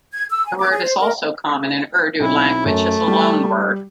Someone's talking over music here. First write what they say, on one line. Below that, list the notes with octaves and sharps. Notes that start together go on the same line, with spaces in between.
The word is also common in Urdu language as a loanword.
G#6
E6
G#5
D6
G#4
C5
A#4
B1 C4 E4
F#2 A3
G3 G5